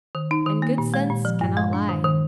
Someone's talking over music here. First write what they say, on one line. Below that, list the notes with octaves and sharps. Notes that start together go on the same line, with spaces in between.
And good sense cannot lie.
D#3
D#4
D#3
A#3
A#2
G#3
A#2
F3
G2
G#3
D4
D#3
D#3